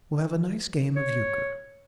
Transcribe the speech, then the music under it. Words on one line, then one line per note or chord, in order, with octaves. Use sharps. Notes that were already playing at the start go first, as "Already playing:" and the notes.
"We'll have a nice game of euchre."
C#5